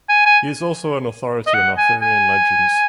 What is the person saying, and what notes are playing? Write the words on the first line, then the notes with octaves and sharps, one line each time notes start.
He is also an authority on Arthurian legends.
G#5
G#5
D#5
F#5
G#5
G#5